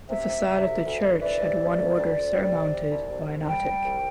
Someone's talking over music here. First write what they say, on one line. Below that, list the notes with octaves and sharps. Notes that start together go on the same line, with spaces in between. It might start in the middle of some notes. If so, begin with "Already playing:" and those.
The facade of the church had one order surmounted by an attic.
C3 E5
C3
C3
D2
D2
D2
E3 D5
C3
E3
D2
D2
D2
G3
C3
G3
C2
C2
C2
G3 G5
G3
C2